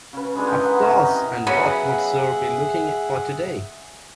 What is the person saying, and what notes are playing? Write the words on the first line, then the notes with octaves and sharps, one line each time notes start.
Of course, and what would sir be looking for today?
C#3 B4
G#3 D4 G#4 A4
E3 A#4 D#5 G5
F#5
C3 C#4 A#5
D#5
C#3 F#3 B3 G#4 E5 F#5